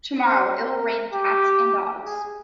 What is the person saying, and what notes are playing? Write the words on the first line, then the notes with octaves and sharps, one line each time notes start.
Tomorrow, it will rain cats and dogs.
C5
A#4
G4
G#4